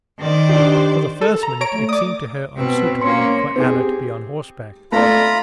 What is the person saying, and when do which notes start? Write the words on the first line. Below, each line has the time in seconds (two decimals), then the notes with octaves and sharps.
For the first minute it seemed to her unsuitable for Anna to be on horseback.
0.19 D#3 C5 D5
0.49 D4 G4
1.21 A4
1.43 A#5
1.61 C#5 A#5 D7
1.72 A3
1.89 D5 D6 D#6
2.56 B2 C4
3.02 A#3 C#4 C6 C#7
3.56 C4 G4 G#4
4.92 A3 F4 D5 A#5 B5